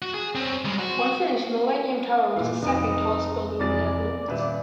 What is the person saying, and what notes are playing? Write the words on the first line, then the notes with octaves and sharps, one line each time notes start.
When finished, Millennium Tower was the second tallest building in the Netherlands.
F#4
G#4
C4 C#4
G3 G#3
F#4
A#2 E3 F5
F1 D#4 B4 D7
F1 E3 D5 A6
D#1 B4 E5